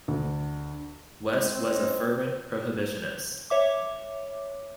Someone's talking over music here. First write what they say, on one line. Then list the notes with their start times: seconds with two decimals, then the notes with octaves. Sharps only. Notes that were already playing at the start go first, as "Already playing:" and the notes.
West was a fervent prohibitionist.
0.08 D2
1.33 G#3
1.53 C4
1.68 C#4 D#4
3.50 C#5 E5 D6